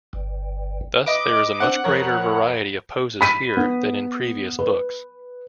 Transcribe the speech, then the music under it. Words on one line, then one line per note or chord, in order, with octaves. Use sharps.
Thus there is a much greater variety of poses here than in previous books.
G1
B4 D#5 D6
C4 D4 F#5
F2 A#4 C#5
B5 B6 D#7
B3
B4